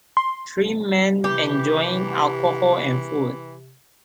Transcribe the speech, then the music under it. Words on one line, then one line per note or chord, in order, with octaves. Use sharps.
Three men enjoying alcohol and food.
C6
C3 E3 G4